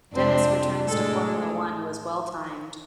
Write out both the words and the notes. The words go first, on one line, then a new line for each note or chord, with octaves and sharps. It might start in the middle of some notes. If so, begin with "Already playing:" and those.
Dennis's return to Formula One was well-timed.
F2 C3 G#3 C4 D4 C5
A2 G#3 D4 A4